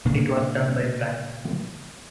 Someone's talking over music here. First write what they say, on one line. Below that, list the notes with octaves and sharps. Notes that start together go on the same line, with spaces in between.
It was done by France.
A#2 C#3 A#3 D4